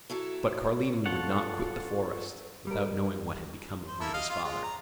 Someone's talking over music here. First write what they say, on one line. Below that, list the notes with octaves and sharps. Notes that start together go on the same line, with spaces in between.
But Carlini would not quit the forest, without knowing what had become of Rita's father.
F#3 E4 A4
F4 A4 C#5 F#5
G3 A#4
C5
A#3 E4 A4
D#5 F5 F6
F4 F5
G#3 F4
A#5